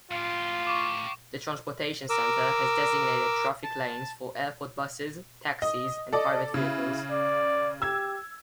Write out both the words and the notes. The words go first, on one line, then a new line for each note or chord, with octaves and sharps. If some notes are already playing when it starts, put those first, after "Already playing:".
The transportation centre has designated traffic lanes for airport buses, taxis and private vehicles.
A2 F4 G4 F5
C#6 D6
A#4 D6 E6
A5
D#5
A4 D5 D#5
C#3 E4
D5
G4 E6 G#6